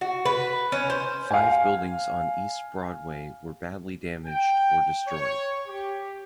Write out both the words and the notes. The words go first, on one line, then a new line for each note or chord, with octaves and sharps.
Five buildings on East Broadway were badly damaged or destroyed.
F#4
B4
C#4
C5
F5 G#5
G5
C#5
G4